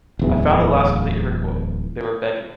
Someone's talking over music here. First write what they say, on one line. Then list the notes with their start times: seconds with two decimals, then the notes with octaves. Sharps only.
I found the last of the Iroquois. They were begging.
0.19 D1 E2 E3